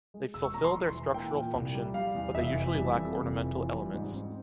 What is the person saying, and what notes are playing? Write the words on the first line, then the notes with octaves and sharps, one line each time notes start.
They fulfill their structural function, but they usually lack ornamental elements.
G#3
E1 E6
C#6
E2 A#5
C6
E1
E3
A#3 G5
A#2
C2
G3
G3 F5
E2
F1 E5
E3
G3
F2
F1
E3
F4
G3
G#2
C4